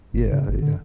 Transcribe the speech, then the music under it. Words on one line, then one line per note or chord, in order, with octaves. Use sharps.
Yeah, yeah.
G1
C#3
G1
D3